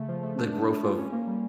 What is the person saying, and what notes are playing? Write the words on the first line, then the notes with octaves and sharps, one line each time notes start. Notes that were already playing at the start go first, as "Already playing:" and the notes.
the growth of
Already playing: C#3 A3
F3
A3
D4
D4
A3
F4
C#4
A#3
G3